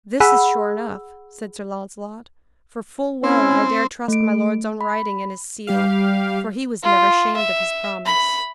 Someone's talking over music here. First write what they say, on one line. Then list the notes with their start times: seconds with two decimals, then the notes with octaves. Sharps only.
This is sure enough, said Sir Launcelot, for full well I dare trust my lord's own writing and his seal, for he was never shamed of his promise.
0.20 G#4 F#5 B5 E6
3.24 C4 C#4 E4
4.08 A3 D7
4.81 B5
5.67 G3 G4 F5
6.83 F4
7.36 E5
8.05 B5